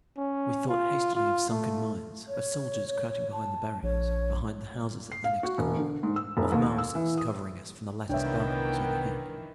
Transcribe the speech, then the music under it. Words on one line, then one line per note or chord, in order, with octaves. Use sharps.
We thought hastily of sunken mines, of soldiers crouching behind the barriers, behind the houses at the next corner, of Mausers covering us from the latticed balconies overhead.
C#4
F4
F4
A3
C#5
A5
A#1 C#5
C7
F5
F#4
E1
D3
G#2
E6
F1
D#2
E6
E3
D#6
C2 D#3 E3 B3 D4 C#5 E5 G5